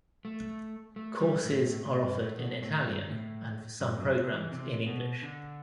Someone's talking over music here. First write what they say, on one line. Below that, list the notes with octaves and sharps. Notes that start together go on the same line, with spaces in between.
Courses are offered in Italian and for some programs in English.
A3
A3
G3
A2
A2
A2
G2
A2
B2
A2
G2
A2
G2
F#2
C3
E3
C3
B2
D3